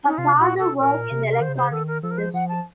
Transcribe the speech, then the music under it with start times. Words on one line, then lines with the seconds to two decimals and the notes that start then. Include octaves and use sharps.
Her father worked in the electronics industry.
0.06 D#4
0.18 C3 F4
0.39 A#2 F#4
0.59 C3 A4
0.80 A#2 A#4
1.11 C3
1.32 A#4
1.41 D#3 C5
1.49 C#3
1.55 C3 C5
1.63 C#3
1.72 D#3 A4
1.87 A#4
2.03 F3 A4
2.11 A#4
2.18 C5
2.33 F3 F#5
2.49 A5